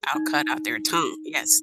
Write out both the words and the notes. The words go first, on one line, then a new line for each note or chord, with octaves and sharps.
"I'll cut out their tongue." Yes.
D#4